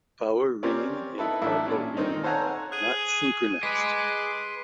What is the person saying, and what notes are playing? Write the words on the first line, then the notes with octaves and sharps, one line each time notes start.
Power ringing and audible ringing are not synchronized.
C4 C#4 G4 A#4 D5
B3 D#4 E4 A4 B4
A1 D4 E4 A4
A#2 C#4 D4
D#3 C4 D#4
A4 C5 C#5 F#5 G#5 A#5
G#4 F#6 D#7
G#4 B4 D#5 C6 D6 B6